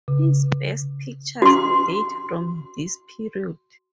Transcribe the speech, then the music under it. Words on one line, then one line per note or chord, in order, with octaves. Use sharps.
His best pictures date from this period.
C#3
F#4 C6